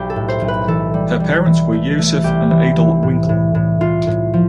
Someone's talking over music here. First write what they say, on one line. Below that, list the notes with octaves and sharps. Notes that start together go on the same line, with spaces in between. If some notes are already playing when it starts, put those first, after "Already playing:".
Her parents were Josef and Adele Winkle.
Already playing: B1 G4
A4
A2
C5
B1
B4
E3 A4
G3
G3
E3
A3
A3
C2 G4
E3
E3
A2
A2
A2
A2 F4
A2
F3